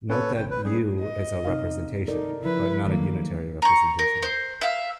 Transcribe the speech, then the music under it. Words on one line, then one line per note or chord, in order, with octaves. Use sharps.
Note that "u" is a representation, but not a unitary representation.
A2 A#3 C#4 A4 B4 C#5
D1 G#1 C3 G5
B4
G3 C#4 G#4
D#5
C3 D#4 F5
D#4 A4 A#4 D5
C#3 F3 E4 B4
D#3 F#3 A3 A#3
A#5 C#6
A#4
C5
E5 F5